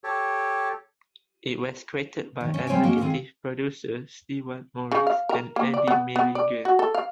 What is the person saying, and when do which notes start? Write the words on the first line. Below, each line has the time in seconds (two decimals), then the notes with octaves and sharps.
It was created by Executive Producer Stewart Morris and Andy Milligan.
0.04 G4 A4 C#5
2.41 D#3
2.54 C#4
2.67 G3 C4 C#5 E5 G5 G#5
2.84 A#3 C#4 F#4 G#4 A#4 D#5
2.98 D3 D#3 G3 C4 F4 G#4
4.92 C#3
5.07 F5
5.29 A#4
5.56 A#3
5.74 D5
5.88 B3
6.16 B3
6.35 D5
6.65 F#4
6.79 A4
6.95 F5